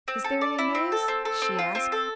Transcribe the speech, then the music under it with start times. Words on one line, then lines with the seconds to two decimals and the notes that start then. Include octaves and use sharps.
"Is there any news?" she asked.
0.08 C4
0.24 A4
0.41 D5
0.58 E4
0.75 C4
0.92 A4
1.08 C4
1.25 A4
1.42 C4
1.59 F4
1.75 C4
1.92 A4